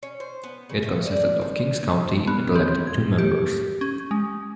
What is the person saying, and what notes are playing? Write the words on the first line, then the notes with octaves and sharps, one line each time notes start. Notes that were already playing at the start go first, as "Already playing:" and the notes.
It consisted of King's County, and elected two members.
C#4
C5
B3
C#3
A3
D5
C4
B3
C4
G#6
G4
C#4
G#3